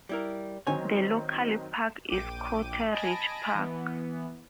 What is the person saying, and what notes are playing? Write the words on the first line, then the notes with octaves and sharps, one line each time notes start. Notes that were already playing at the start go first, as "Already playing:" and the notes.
The local park is Cotteridge Park.
G3 E4 A#4
D#3 F#3 C4 C#5 G#5
A#1 G5 D6 D#7
D#5 G#5 A5 B5 A#6 D7
E3 B3